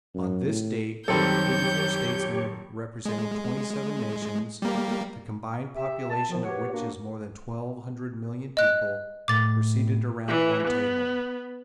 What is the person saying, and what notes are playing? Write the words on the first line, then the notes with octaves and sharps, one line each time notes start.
On this date eighty-four statesmen representing twenty-seven nations, the combined population of which is more than twelve hundred million people, were seated around one table.
F#2
A2
F#2 D#3 G3 C4 G4 A4 C#5 G6
G#3
G3 A#3
G4 E5
A5
F#2 A2 D#3 F3
F#4 G4 A#4 B4 C#5
A#3 D4 F#4
D#5 F#6
A2 D6 A6
E3
B3